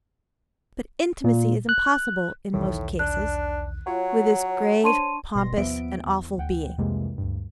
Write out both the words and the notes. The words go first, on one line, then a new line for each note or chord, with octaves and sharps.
But intimacy is impossible, in most cases, with this grave, pompous, and awful being.
A#2
F#6
B1 E2 A2 D#3
D4 F#6
F#3 F4 C#5
D4 C5 C#5 A5 C6 D#7
G#1 B2 G3 C6 A#6
D#2 F3 B3 E5 D7
E2
D2 F#5 G5
C2 F2 C3 E3 G#3 A#3
D2 G2